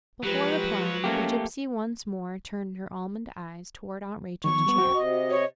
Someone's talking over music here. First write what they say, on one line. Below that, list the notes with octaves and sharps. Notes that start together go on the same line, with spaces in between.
Before replying, the gipsy once more turned her almond eyes towards Aunt Rachel's chair.
F3 F#3 G#3 G4 B4
A3 A#3 C#4 G4
D#3 F3 B3 C#6
G3 B3
F#2 C4 F#4 G5
C3 D#5
C#5